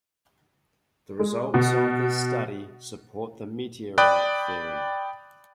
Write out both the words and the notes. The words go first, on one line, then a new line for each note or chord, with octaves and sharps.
The results of this study support the meteorite theory.
G#3
B2
D5 G5 B5 D#6 F#6